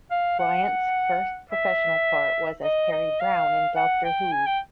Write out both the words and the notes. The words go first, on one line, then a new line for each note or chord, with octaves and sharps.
Bryant's first professional part was as Peri Brown in "Doctor Who".
F5
F#5
E5
D#5
D#5
F5
F#5
G5
G#5
G5